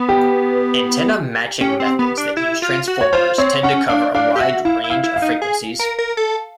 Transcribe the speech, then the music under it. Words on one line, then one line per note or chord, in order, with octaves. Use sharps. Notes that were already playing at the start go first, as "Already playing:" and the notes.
Antenna matching methods that use transformers tend to cover a wide range of frequencies.
Already playing: B3
G4
C#4 G4
C4
B3
D4
E4
F4
F#4
C#5
F4 C5
C4 C#5
C#4 F#5
D4 F5
D4 F5
G4
F#4 E5
E4 F5
E4
F5
E4
F5
D#4
G#4
A#4
A#4
A4